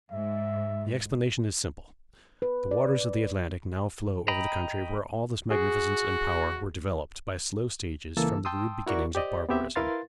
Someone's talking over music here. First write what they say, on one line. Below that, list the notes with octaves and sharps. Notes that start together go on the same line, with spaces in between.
The explanation is simple: the waters of the Atlantic now flow over the country where all this magnificence and power were developed by slow stages from the rude beginnings of barbarism.
G#2 E5
B4
D5
D#5 G5 A#5 B5
F#4 G#4
C#2 E3 A#3 A4 A5 E6
G5 A5 C6 D#6 E6
E4 F#4 A#4 D5 C#6
G4 C5 D5 D#5
B3 C4 G4 E5
E4 A#4 B4 F5 C6 A6